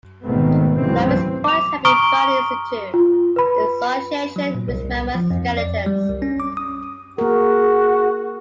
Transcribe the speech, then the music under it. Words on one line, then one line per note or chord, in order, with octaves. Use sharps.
Clovis points have been found "in situ" in association with mammoth skeletons.
G#1 B2 D#3 A3 B3 C4
F1 C#2 G2 E3 F#3 C4
D6 F7
A#5 C#6 D#6 F6 D7 G7
F4
B4 B5
F#3
A#2
C2
F3
F2
D5
G3
C2
C#4
D6
D#6
A#3 F#4 G#4 A#4